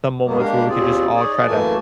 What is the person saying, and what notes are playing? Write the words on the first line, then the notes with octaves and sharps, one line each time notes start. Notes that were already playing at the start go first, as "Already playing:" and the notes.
some moments where we could just all try to
F#2 B2 F#3 G#3 A#3 B3
G#3 A#3 D4 G4 A#4 F5
D#2 B2 C4 F4 G#4 D5
D#4 G#4 C#5 D5
G#4 D5 D#5
F#2 E3 A3 A#3 G#5 A5